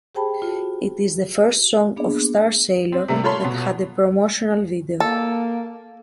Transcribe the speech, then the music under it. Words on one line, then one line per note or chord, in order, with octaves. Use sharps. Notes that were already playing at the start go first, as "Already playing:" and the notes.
It is the first song of Starsailor that had a promotional video.
G4 G#4 C5 G5 A5 B5
F4 F#4
A#3 B3 D4 G#4
C4
C3 G3 A3 A#3
F4 A4 C#5 B5 C6
B2
A#3 A4